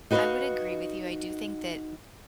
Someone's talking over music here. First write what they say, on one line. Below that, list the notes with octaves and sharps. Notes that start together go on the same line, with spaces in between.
I would agree with you. I do think that th
D#4 F#4 B4 D5 D#5 F5